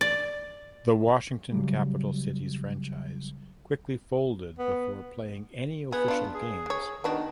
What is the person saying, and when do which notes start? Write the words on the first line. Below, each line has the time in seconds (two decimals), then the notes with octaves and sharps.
The Washington Capital Citys franchise quickly folded before playing any official games.
0.01 D5
1.52 C#3 F#3 G3
4.59 B3
5.92 B3 G#4
6.08 D4 F4
6.34 G#4
6.66 G#3 C#5
7.04 D#3 B3 D4 F#4